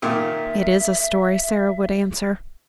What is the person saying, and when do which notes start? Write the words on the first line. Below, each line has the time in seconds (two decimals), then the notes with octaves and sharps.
"It is a story," Sara would answer.
0.02 A#2 D#3 E5